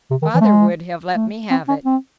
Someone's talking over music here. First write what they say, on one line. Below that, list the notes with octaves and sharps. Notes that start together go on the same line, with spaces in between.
Father would have let me have it.
C3
D#3
E3
A3
G#3
A3
C4
C#4
C4